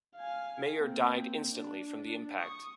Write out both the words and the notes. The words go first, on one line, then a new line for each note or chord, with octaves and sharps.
Mayer died instantly from the impact.
F5 G#5
A#3 C4
D4
C#6 D#6